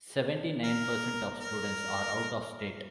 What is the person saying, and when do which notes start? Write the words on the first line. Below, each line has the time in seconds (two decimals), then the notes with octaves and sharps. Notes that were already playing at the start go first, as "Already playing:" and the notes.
Seventy-nine percent of students are out-of-state.
0.64 A#4
1.41 A#4